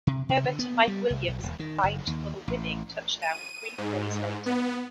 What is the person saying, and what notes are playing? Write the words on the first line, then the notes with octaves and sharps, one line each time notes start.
Herbert and Mike Williams combined for the winning touchdown three plays later.
C3
C3
D3
B3
G3
C2
B1
D#1
D#3
F#1
D#2
A1
D#7
G#2
B3